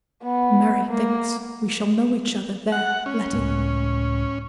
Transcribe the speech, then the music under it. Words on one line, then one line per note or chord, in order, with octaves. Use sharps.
"Mary thinks we shall know each other there, Letty."
B3
A#3
F#5
C#4
C#2 A2 G#3